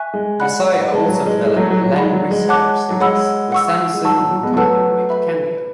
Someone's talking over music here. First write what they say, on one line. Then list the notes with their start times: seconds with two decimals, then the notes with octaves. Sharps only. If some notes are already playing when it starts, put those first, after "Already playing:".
Masaya also developed the "Langrisser" series, where Samson and company make a cameo.
Already playing: E5 G#5 C#6 F#6
0.14 G#3
0.40 D5 F#5 B5 F#6
0.92 G#3 B4 D5 A5
1.09 F#3
1.26 G#3
1.44 G#3 A4 E5 G#5
1.56 F#3 A3
1.71 F#3
1.83 F#3
1.96 G#3 D5 F#5 B5
2.13 F#3
2.31 G#3
2.48 C#5 F#5 A5 D6 F#6
2.90 F#3
3.01 G#3 C#5 F#5 B5 E6
3.52 F#5 C#6 E6
3.94 G#3
4.04 F#3 F#5 A5 C#6 E6
4.18 F#3
4.31 F#3
4.43 G#3 B3
4.56 F#3 A3 B4 F#5 A5 E6
5.09 B4 E5 B5